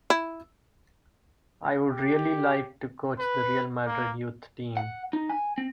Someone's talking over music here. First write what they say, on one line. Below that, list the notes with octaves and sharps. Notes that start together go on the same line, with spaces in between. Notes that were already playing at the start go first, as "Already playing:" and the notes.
I'd really like to coach the Real Madrid youth team.
E4
G4
B4
A#3
F#5
D#4
G#5
C4